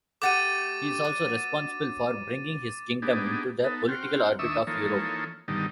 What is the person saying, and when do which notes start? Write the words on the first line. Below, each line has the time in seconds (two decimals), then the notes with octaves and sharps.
He is also responsible for bringing his kingdom into the political orbit of Europe.
0.22 A3 F#4 G4 D6 A6 D#7
1.05 F#3
3.02 B3 D4 D#4 G4 G#4
3.64 B3 D#4 A4
3.89 C4 F#4 G5 F6
4.39 D#2 D4 E5 C#6 D#6 E6
4.67 E3 F3 A#3 D#4 A4 C#5
5.48 G2 B2 D3 D#3 G3 D#4